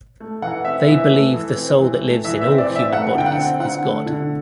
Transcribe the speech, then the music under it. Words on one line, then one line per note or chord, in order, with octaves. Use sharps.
They believe the soul that lives in all human bodies is God.
A3
E3 F#5
C4 E5
E3 E5
A3
E3
C4
E3
A3
E3 E5
E5
C4
D5
E3
E5
A3 F#5
D3 G5
F#5
C4
D3 F#5
A3
D3